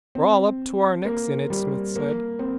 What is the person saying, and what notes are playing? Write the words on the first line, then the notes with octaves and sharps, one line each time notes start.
"We're all up to our necks in it," Smith said.
C4
A#3
G3
A#3
C4